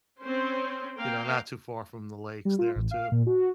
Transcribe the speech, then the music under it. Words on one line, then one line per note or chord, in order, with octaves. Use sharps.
you know, not too far from the lakes there too.
C4 C#4 C5
A#3 A#4 F5 G5
G3
F4
A1
F5
A#2
F#4